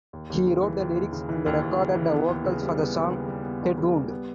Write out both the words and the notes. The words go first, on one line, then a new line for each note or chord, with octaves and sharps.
He wrote the lyrics and recorded the vocals for the song Headwound.
D#2
D#2
C#3
E3
D#2
D#2
C#3
E3
D#2
D#2
C#3
E3
B3
D#2
C#3
G3
B3
D#2
C#3
G3
B3
D#2
C#3
G3
B3